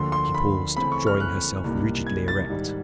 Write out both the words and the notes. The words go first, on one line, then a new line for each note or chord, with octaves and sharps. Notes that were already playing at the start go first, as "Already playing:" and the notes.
She paused, drawing herself rigidly erect.
Already playing: D2 D3 F3 A#3 C6
C6
B5
C#3 E3 A3 C4 B5
C#6
F6
F#6
C2 A#2 G3 A#3 D#4
G#6
A6
G#2 D#3 G3